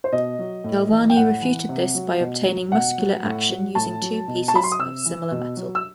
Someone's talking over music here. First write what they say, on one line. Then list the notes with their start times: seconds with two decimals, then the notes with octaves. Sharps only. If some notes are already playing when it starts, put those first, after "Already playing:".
Galvani refuted this by obtaining muscular action using two pieces of similar metal.
0.04 C5
0.12 B2 D#5
0.39 F#3
0.64 A2
0.90 E3
1.10 G5
1.16 A2 F#5
1.42 E3
1.69 C3
1.95 F#3
2.20 B2
2.46 F#3
2.72 B2 F#5
2.98 F#3
3.24 A2
3.49 F#3
3.75 A2 A5
4.02 F#3
4.28 B2
4.48 A5
4.54 F#3 B5
4.63 C6
4.72 D#6
4.79 C3 E6
5.06 E3
5.31 B2
5.57 F#3
5.75 E6